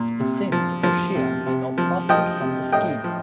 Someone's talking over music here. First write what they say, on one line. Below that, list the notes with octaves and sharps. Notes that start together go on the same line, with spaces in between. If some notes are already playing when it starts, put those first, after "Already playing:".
It seems O'Shea made no profit from the scheme.
Already playing: A#2
C3
F3
F3
C3
C3
F3
F3 D#5 G5
C3
A2 D#5 G5
F3